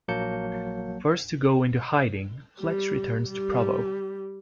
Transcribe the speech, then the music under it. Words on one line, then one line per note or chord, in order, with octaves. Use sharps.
Forced to go into hiding, Fletch returns to Provo.
A#1 F#3 A#3 A5 G6 C#7
G3
G3